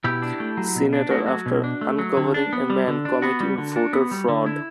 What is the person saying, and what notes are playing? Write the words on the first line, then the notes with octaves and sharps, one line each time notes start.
Senator, after uncovering a man committing voter fraud.
B2 E4 G4
D4
A3
F#3
B2
D4
A3 F#4
E4
F#3 F#4
B2
D4
A3
F#3
D3
D4
B3
G3
D3
D4
B3 F#4
G3
D3
D4
B3
G3
D3
E4